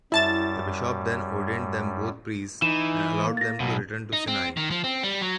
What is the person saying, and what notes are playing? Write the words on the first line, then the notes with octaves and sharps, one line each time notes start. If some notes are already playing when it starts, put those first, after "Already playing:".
The bishop then ordained them both priests and allowed them to return to Sinai.
F#2 G3 E4 A5 A6
E3 D#4 E7
A#3
A6 A#6
B1 B2
D#4
C4
D#3
F3
C4
G3
F#3